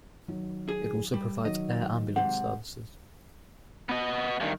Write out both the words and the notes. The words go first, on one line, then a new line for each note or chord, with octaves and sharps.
It also provides air ambulance services.
D#3 F#3 D#4
G#4
G3
D#3 F#3 D#5
G#2 C3 F#5
B3 D#5
G2 D#3